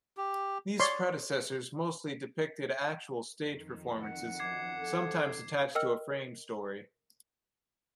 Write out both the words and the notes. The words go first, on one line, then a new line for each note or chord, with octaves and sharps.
These predecessors mostly depicted actual stage performances, sometimes attached to a frame story.
G4
C#5 D5 C6
F2 D#3
F#5
F#2 D6 G#6 C7
A4
A#4 D#5 G5 E6 F6